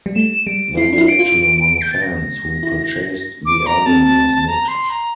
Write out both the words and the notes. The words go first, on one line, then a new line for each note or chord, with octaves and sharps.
The reaction among fans who purchased the album was mixed.
G3
A3 E7
G3 D7
E4 C7
D4
E4
D7
F4
G6
A6
A#6
E4
D6
A#5
C4 A5
A#5
C6
A#5